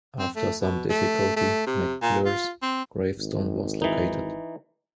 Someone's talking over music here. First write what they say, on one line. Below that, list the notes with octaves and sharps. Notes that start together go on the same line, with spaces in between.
After some difficulty, McClure's gravestone was located.
C4
A3
B2
A3
A3
C3
A#2
F4
C4
G#1
E3 D#4